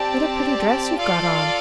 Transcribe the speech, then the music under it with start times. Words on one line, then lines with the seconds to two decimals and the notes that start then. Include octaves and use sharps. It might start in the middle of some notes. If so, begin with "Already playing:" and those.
"What a pretty dress you've got on!"
Already playing: C4 G4 D5 A5
0.99 F4 A4 D5 F5